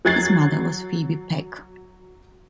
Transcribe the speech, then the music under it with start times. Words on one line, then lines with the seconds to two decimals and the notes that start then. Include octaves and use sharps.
His mother was Phebe Peck.
0.05 F#3 F#6 G#6 A6 C7 F#7